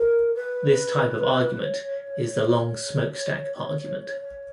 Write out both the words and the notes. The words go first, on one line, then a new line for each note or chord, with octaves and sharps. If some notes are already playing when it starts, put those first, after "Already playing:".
This type of argument is the long smokestack argument.
Already playing: A#4
B4
C#5
D5
C#5
C#5